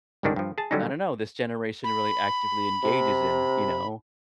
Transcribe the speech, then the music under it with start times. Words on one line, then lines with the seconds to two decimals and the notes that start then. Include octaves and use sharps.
I don't know, this generation really actively engages in, you know?
0.23 G1 C#2 G#2 D#3 G3 D4
0.36 G2 F3
0.58 G#4 A5
0.71 D3 F#3 G3 C#4 D#4
1.84 B5
2.83 C3